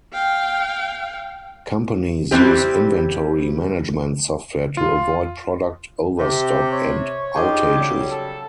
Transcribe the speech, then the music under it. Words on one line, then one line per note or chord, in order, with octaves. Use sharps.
Companies use inventory management software to avoid product overstock and outages.
F5 G5
E3 G3 C4 G4
F4
C3 G4
C#5
D#4 F4 G4 G#4
C#3 F#3 G3
A4